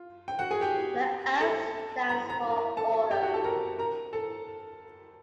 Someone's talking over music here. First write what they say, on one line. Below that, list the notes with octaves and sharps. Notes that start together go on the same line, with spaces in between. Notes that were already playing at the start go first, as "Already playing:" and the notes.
The "O" stands for order.
Already playing: F4
G5
F#4 F#5
G#4 G#5
G4 G5
A4 A5
A#5
A#5
A#4 A#5
A4 A5
G4 G5
F#4 F#5
A4 A5
A#4 A#5
A#4 A#5
A4 A5